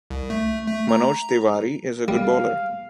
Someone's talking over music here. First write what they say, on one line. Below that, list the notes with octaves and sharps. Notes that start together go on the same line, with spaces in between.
Manoj Tiwari is a good bowler.
C2
A3
A3
A#5
G3 F5